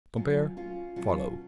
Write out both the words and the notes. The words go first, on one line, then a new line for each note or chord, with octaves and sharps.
Compare FOLLOW.
B2 F#3 C#4 F4
C#4 F4
B2 F#3 C#4 F4